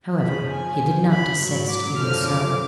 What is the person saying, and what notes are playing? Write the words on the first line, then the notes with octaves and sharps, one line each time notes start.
However, he did not desist even so.
F#2 C#3 F3 B5
G#5
F2 F3
B5
G#2 F#3
D6
F#2 D3 F3 F6
D6